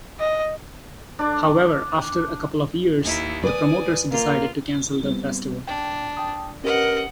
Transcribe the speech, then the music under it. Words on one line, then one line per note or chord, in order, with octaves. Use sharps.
However, after a couple of years, the promoters decided to cancel the festival.
D#5
D4 D5
D#2 D#4 E4
B4 D5 G#5 D#6
A#3 F4
G3 B3 C4
D4 G5
G5 A5 D#6
C#4 G4 A#4 B4 D#5 F#5